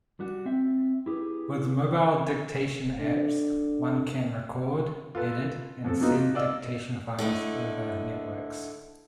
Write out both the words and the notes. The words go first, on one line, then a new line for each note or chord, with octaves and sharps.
With mobile dictation apps, one can record, edit, and send dictation files over networks.
G3 F#4
C4 E5
E4 G4 G#4 B4
D3
F4 A4 B4
F2 A4
B2 F#3 A#3 B3 D#4 F4
D5 D#5 F5 E6
D3 A3 D#4 E4